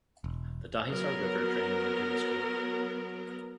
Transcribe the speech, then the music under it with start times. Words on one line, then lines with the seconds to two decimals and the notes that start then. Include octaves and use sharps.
The Dahisar River drains into this creek.
0.24 E1
0.89 F#3 B3 A#4